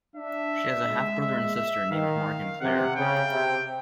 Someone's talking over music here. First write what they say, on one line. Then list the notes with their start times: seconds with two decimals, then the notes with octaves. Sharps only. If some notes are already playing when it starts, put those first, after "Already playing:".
She has a half-brother and -sister named Mark and Claire.
0.16 D4 E5
0.86 G#3
1.21 E5
1.56 E5
1.91 D#3 F5
2.61 C3 F#5
2.96 C#3 G5
3.31 C3